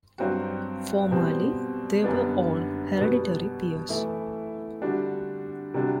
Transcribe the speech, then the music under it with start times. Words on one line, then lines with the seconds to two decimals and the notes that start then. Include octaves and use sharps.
Formerly, they were all hereditary peers.
0.18 G2 F#3 C4 F#4
1.11 B2 G3 C4
2.04 F#2 D3 G3 B3 D4
2.96 B2 G3 B3 F#4
3.89 E3 A3 E4
4.82 D3 G3 D4 F#4
5.74 C3 G3 D4 F#4